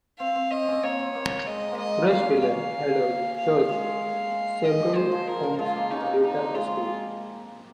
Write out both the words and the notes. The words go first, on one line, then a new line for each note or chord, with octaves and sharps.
Rushville had a church, several homes, and later a school.
C4 F5
C4
C4 D#5
C#4
C4
A#3 C#5
C4
A#3
G#3 D#5
A#3
G#3 D#5
C#4 F5
C#4
A#3 F5
F5
G#3 F5
D#5
G3
G#3 C5
F3
A#4
F3
G#3 F4
A#3
C#4 D#4
A#3
C4
A#3 D#4
G#3 F4